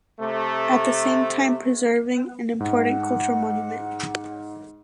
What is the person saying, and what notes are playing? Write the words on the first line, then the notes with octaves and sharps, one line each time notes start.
At the same time preserving an important cultural monument.
C3 A3
G#2 F#5